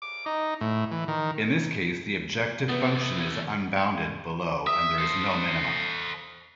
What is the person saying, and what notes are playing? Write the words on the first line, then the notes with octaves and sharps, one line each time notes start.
In this case the objective function is unbounded below and there is no minimum.
D6
D#4
A2
E3
D#3
E3 A3 B3
E5 D#6
A4 C5